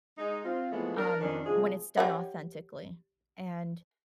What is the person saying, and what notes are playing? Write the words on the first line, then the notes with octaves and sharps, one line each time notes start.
um, when it's done authentically, and
G#3 D#4
C4 F4
E3 F3 G#3 A3 B3
D4 A#4
F2 D#3 C#4 D4
C3 F3 G#3 G#4
G4 C#5 F#5